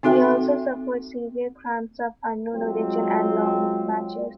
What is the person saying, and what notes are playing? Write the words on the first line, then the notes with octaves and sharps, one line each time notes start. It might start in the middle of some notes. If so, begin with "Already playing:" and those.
He also suffered severe cramps of unknown origin in long matches.
C4 D#4 F#4 A4 E5 G5
F#3 G#3 C4 F4